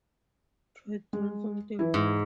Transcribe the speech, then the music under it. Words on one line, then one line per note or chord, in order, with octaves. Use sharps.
Try doing something.
G#3
E3 E4
G#2